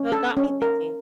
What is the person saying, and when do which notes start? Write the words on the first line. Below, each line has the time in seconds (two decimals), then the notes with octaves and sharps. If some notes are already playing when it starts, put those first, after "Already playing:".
So it got me thinking,
Already playing: C#4
0.12 A4
0.37 C#4
0.62 A#4